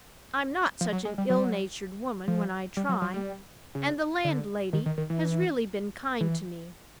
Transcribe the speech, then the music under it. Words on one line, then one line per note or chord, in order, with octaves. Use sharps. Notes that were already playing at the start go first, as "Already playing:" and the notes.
I'm not such an ill-natured woman when I try; and the landlady has really been kind to me.
F3
F#3
G#3
G3
F#3
G3
F#3
F3
G3
F#3
F#3
G3
C#3
D3
D#3
D#3
D#3
E3
E3